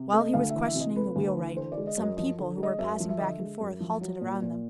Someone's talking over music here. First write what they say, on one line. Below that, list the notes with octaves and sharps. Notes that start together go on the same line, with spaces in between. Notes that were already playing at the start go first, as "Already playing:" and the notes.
While he was questioning the wheelwright, some people who were passing back and forth halted around them.
Already playing: C3
A3
D#5
D2 F5
E3 E5
E5
C3
D#5
A3 B4
D2
B4
E3
D3 C5
D5
G#3
D#5
F#2 D#5
F3 D#5
D3
G#3
D#5
F#2 E5
F3
E5
D3 D#5
E5
G#3
F#2
F3
F#3
A#2
A#2